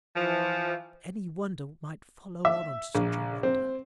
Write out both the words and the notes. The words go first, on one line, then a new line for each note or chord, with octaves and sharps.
Any wonder might follow on such a wonder.
E3 F3
E5
A#1
C4